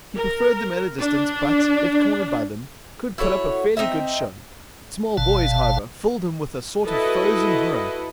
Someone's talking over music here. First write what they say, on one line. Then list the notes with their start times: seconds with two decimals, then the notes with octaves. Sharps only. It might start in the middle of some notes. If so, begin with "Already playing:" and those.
He preferred them at a distance, but, if cornered by them, could put up a fairly good show. Small boys, however, filled him with a sort of frozen horror.
0.16 A#4
1.00 D4
3.18 E4 F#4 A4 C#5
3.77 C4 D#4 D#5 E5
5.17 G1 B2 F5 A5
6.88 E4 F#4 A4 B4 D#5